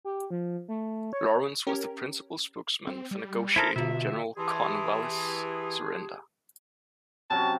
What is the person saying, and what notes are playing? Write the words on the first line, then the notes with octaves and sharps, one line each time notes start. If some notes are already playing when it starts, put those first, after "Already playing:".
Laurens was the principal spokesman for negotiating General Cornwallis's surrender.
G4
F3
A3
C#5
C#4 G4 A#4
C4
G3
E4 A4 A#4 C5 C6 D#6
B2 D3 F4 F#4 E5
E3 G4 G#4 A5 C6
C3 F#3 C#4 A5